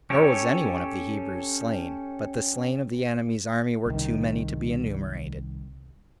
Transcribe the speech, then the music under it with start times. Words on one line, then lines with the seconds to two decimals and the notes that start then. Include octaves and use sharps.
Nor was any one of the Hebrews slain; but the slain of the enemy's army were too many to be enumerated.
0.10 C#4 G4 A4 C#5
3.86 C2 D#3